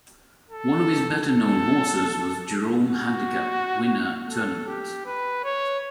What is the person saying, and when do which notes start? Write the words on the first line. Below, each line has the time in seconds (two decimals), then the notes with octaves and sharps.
One of his better known horses was Jerome Handicap winner, Tournament.
0.50 A4
1.26 A4
2.77 F#4
4.30 A4
4.67 G4
5.06 B4
5.44 C#5